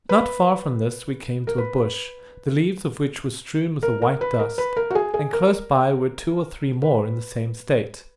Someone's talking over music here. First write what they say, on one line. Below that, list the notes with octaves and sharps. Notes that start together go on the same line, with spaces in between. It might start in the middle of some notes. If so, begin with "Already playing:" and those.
Not far from this we came to a bush, the leaves of which were strewn with a white dust; and close by were two or three more in the same state.
B4
A#4
B4
A#4
A#4
B4
A#4
B4
A#4
F#4
G#4
G#4
A#4
B4